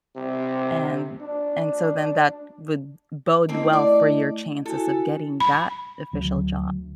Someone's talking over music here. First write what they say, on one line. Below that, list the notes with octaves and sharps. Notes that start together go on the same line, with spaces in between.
and and so then that would bode well for your chances of getting that official job,
C3
D4
A3 A#3 C4 E4 D#5
D5
E4 F#4 A4 G#5
B5
D2 F#3